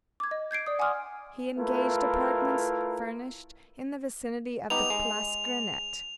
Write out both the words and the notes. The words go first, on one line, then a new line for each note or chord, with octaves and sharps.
He engaged apartments, furnished, in the vicinity of the Place Grenette.
D6 G#6
D#5
G6 G#6 C7 D7
D5 D#6
F#5 G#5 C6 D6 D#6 F6
A3 E4 F4 A#4 B4
B3 D#4 G4 F7
G#3